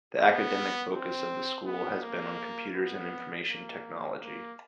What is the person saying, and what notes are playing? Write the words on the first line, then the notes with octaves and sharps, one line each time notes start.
The academic focus of the school has been on computers and information technology.
B3
C4
B3
A#3
B3
A#3
A#3